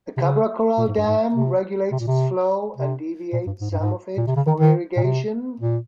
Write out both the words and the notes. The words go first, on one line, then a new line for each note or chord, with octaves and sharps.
The Cabra Corral Dam regulates its flow, and deviates some of it for irrigation.
C3
C#3
A#2
G#2
G2
G#2
C3
C3
A#2
C3
C3
A#2
G2
G#2
G2
G#2
A#2
C3
C#3
D#3
D#3
A#2
C3
A#2